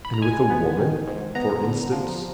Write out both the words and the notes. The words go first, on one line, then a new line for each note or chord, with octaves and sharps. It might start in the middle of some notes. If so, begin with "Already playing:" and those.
And with a woman, for instance.
B5
A#5
G#3 G#5
B3
D#3
G#2
B3 A#5
D3
F3